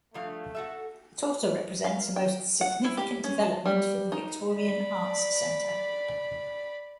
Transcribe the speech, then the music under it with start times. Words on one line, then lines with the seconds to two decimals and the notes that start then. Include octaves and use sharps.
It also represents a most significant development for the Victorian Arts Centre.
0.14 G2 F3 A3 F5
0.55 F#4 A4 E5
1.84 F5
2.16 G5
2.61 F#5
2.85 E4
2.97 G4
3.24 C#4
3.43 A5
3.66 G3
4.12 D#4
4.56 D5 B5